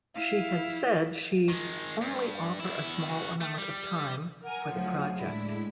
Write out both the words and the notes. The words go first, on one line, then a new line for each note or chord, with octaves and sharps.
She has said she "only offer a small amount of time" for the project.
E4 F5
D#3 G#3
G2
E2 E4
C#3 F#4
A3
G3
A#4 F#5 G#5
D2 F3 F#3 G#4 G#5
A2 G#3 D4 E4 B6